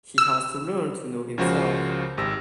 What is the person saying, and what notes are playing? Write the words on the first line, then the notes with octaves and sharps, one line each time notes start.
He has to learn to know himself.
E6
C#2 C#3 F3 F#4 A#4 C5
G#1 G4 E6 A#6